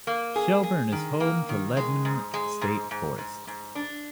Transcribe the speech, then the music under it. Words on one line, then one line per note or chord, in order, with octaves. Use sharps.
Shelburne is home to Leadmine State Forest.
A#3
G#4
G#4
D#3
A#3
D#3
G#3
G#2
G#3
G#2
G#2
G#2
G#2
D4